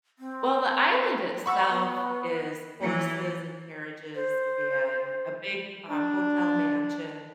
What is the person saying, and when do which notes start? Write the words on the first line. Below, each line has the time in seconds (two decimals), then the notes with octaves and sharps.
Well, the island itself is horses and carriages and a big, um, hotel mansion
0.19 C4
1.46 F#5 B5 C#6 E6
1.70 B3
2.81 E3
4.15 C5
5.89 D4